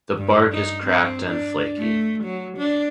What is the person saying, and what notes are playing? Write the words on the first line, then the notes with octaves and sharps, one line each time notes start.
The bark is cracked and flaky.
G2
D#4
C4
D4
A3
F#3
D4